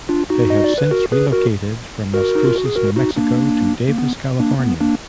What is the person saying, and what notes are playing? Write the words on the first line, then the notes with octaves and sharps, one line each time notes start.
They have since relocated from Las Cruces, New Mexico to Davis, California.
D4 F4
D#4 F#4
D#5
D5
B4
F#4 A#4
G#4 B4
F#4 A#4
F#4 A#4
D#4
F4
F#4
G#4
F#4 A#4
D#4 F#4
A#3 D4
A#3
B3
A#3 D4
B3
A#3 D4